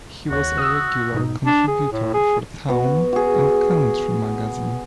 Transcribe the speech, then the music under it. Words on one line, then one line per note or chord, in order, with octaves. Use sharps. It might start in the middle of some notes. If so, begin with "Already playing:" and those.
He was a regular contributor for Town and Country Magazine.
D#2 F#4 C#5
D#6 E6
G#2 B2 D#4
D4
G#4
A2
G#4
B3 F#4
F#4 G#4